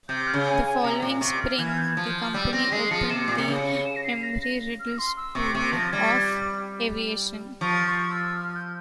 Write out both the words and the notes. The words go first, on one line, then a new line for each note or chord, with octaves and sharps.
The following spring, the company opened the Embry-Riddle School of Aviation.
C3 G6
F6
C#3
G#5
G#5
C3 A#5
A#2
C3 C#6
F6
E3 G#6
F6
G6
G#6
F3
G6
G3 E6
C4 A#6
G#3 C7
F3 C#7
C3 E7
C#7
A#2 C7
C3 C#7
C#3
E7
A#6
C7
A#6
C7
A#6
F6
C6
E6
C3 C#6
C3 C#6
F3 A#6
A#6
G3 G#6
F3 C#6
C#6
E6
F6
G6